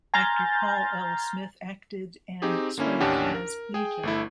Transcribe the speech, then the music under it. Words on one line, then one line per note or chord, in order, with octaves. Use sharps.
Actor Paul L. Smith acted and spoke as Bluto.
G#5 A#5 C6 F6 G6 A6
C4 D#4 G4 G#4
D3 A#3 C#4 E4
A1 D#2 C#4 D4 G4 F#5
A#4
G#4 G5
G1 A3 E4